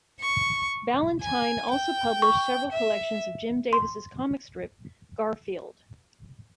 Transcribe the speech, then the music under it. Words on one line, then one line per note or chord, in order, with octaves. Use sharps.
Ballantine also published several collections of Jim Davis' comic strip "Garfield".
C#6
G#5
G5
C#6
E5
C6